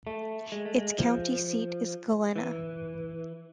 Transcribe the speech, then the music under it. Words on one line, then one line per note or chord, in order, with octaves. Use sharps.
Its county seat is Galena.
A3
G#3
A3
G#3
F3
E3